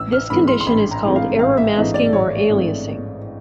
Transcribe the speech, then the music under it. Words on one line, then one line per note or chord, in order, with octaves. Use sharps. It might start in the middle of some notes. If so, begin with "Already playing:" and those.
This condition is called error masking or aliasing.
Already playing: A1 E6
F6
G#2 E3 A3 C4 B5
C6
C6
A1 B5
A#5
G#2 E3 A3 C4
F5
A1 F5
E5
G#2 E3 A3 C4 D#5
D5
A1 C#5
G#2 E3 A3 C4